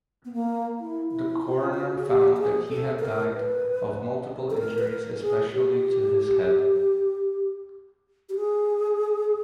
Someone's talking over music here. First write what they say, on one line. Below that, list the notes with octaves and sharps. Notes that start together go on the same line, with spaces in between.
The coroner found that he had died of multiple injuries especially to his head.
B3
A#3
E4
E4
F4
F#4
G#4
G4
G#4
A4
A#4
B4
A4
A#4
B4
A#4
G#4
G4
G4
G#4